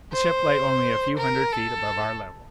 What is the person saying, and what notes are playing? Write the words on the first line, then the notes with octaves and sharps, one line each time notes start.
The ship lay only a few hundred feet above our level.
C5
A#4
A4